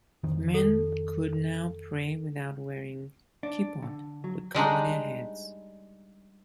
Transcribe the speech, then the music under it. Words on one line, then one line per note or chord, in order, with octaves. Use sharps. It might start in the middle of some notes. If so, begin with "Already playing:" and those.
Men could now pray without wearing kippot to cover their heads.
F2 D#3 F3
A4
D4
D3
F#3
G3 G#3 D4 D#4